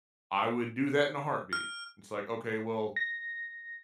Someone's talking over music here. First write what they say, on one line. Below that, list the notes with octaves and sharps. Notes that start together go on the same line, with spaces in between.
I would do that in a heartbeat." It's like, okay, well,
F6
A#6